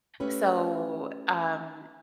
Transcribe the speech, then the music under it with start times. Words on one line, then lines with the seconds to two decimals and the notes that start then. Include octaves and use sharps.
So, um
0.20 A3 C#4 G4 B4